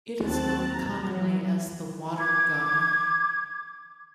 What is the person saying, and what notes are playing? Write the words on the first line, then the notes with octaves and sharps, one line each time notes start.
It is known commonly as the water gum.
D#2 C4 A5 F#6 A6
A#5
F#3
D6 G#6